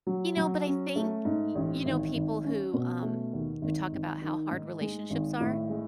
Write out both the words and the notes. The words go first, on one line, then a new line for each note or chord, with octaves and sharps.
You know, but I think, y you know, people who, um, who talk about how hard relationships are,
F#3
F#3
C#4
A3
G#2
A1
G#1
G#1
C#4
B2
A3
D#2
G#1
G#1
D#3
G#2
G#3
G#1
A2
G#3